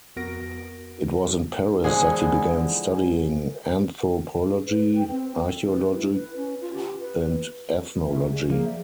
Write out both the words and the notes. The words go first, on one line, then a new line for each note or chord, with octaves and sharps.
It was in Paris that he began studying anthropology, archaeology and ethnology.
F2 B3 F#4 A#4 A#6 D7
D3 E3 F3 G#3 F#5 G#5
G#4
B4
G5
C4
A4
B4
E4
B4
C#4
F4
G4
B4
A#3 D#4 G#4 E5
F#4 G#4 D5
F3 A#3 G#4 C5
D5 E5